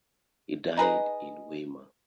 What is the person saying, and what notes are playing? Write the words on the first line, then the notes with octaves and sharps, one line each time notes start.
He died in Weimar.
D#4 G#4 B4 D#5